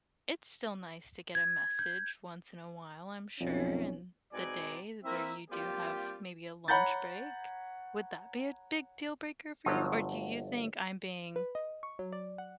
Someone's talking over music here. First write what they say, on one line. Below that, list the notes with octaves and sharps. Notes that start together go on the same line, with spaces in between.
It's still nice to get a message once in a while, I'm sure, and the day where you do have maybe a lunch break. Would that be a big deal breaker for you, or do you think I'm being
G#6
G6
B1 F2 C#4
B2 G#3 C4 D#4 D5 G#5
A#3 C4 E4 A#4 E5
G3 A#3 C4 F4 G4
C#5 F#5 A#5 B5 G6 A6
G1 F3 F#3
B4
D#5
C#6
F#3
D5
F#5